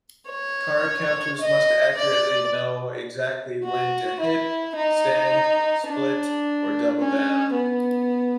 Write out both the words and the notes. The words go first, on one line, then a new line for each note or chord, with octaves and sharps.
Card counters must accurately know exactly when to hit, stand, split, or double down.
C#5
D#5
D5
F#4
E4
D#4
D4
C#4
B3